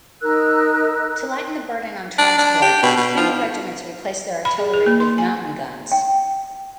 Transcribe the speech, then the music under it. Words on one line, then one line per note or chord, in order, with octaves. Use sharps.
To lighten the burden on transport, many regiments replaced their artillery with mountain guns.
D#4 A#4 E6 F#6
D4
D4
G4
B2
B2
F3
B5
G#4
G#4
A#3
C6
G#5
G5